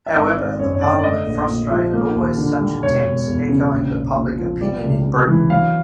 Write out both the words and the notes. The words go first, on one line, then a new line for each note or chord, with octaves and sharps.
However, the Parliament frustrated always such attempts, echoing the public opinion in Britain.
E5
G#1 D#5
G#1 D5
F#2 C#5
C#5
D3 D5
D5
A3 D#5
A#1
A#2
F3
A#3
D#2
D3
G3
E1 C#5
E1
E2
C#3
A#1
A#1
A#2
F3
G3 D5
C#2
C3
E3
F#3 F5